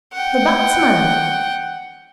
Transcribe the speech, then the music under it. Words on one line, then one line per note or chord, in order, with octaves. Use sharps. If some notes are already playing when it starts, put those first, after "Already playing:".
The batsman?
F#5 G5